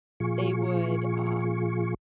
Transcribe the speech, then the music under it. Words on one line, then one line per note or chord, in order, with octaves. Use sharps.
They would, um
A#2 F3 F4 G#4 C#6